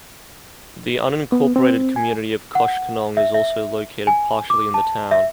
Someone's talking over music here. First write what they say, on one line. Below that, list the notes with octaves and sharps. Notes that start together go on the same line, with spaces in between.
The unincorporated community of Koshkonong is also located partially in the town.
B3
C4
G#5
F#5
E5
E5
G#5
D6
A5
E5